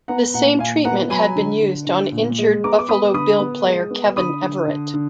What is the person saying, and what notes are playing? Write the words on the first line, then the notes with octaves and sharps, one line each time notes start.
This same treatment had been used on injured Buffalo Bill player Kevin Everett.
B3 F#5 A#5
A#2 F#5 A#5
A#2 F5 G#5
B3 F#5 A#5
F#3 G#5 B5
D3
D3
D3
A#2
G#3
B3 A#5 D6
D6
B3 B5 D#6
D3 B5 D#6
B3
G#3
B3
D3 B5 D#6
D3
D3
D3